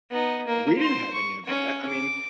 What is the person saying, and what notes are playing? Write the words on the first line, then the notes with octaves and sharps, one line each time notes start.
We didn't have any of that. I mean,
B3 D#4
A#3
C5 C6
C#6
C#4 C#5
D6